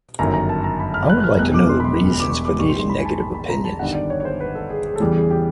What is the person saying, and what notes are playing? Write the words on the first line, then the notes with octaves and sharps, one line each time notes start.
I would like to know the reasons for these negative opinions.
G1 F#2 D#3 F#3 A#5
A#5
A5
A#5
B5
F6
F#6
F#6
F6
E1 E2 B2 G3 F#6
D6
C6
B5
C6
D6
C#6
D6
A#1 G#2 D#3 G3 C#6
C6
C6
B5
G#5
A5
A5
B5
A#5
A5
G1 G2 D#3 F#5
D5
C#5
C#5
C5
B4
A4
G#4
G#4
A4
E2 C#3 E3 G3 G#4
G#4
G4